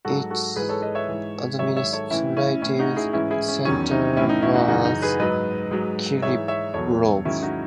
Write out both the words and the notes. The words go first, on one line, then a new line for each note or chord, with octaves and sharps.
Its administrative centre was Kirillov.
G#2 F#3 F#4 A4
F#4 A4
G#2 E3 G#4 B4
A4 C#5
B4 D#5
C#5 E5
G#2 E3
G#2 D#3 F#3 C#5 E5
C#5 E5
A4 C#5
A2 E3 C#4 E4
C#4 E4
A2 E3 C#4 E4
D#4 F#4
E4 G#4
G#2 E3 C#4 E4
E4 G#4
C#4
E2 D#3 F#3 C#4
D#4
A2 E3 C#4 E4
D#4
C#4 E4
D#4 F#4
F#2 C#3 E3 D#4 F#4
D#4
G#4 B4
G#2 F#3 B4 D#5
G#2 F#3
G#2 E3 C#5 E5
C#5 E5
E2 B2 F#3 A4 C#5
G#2 D#3 F#3 C#4 E4
D#4 F#4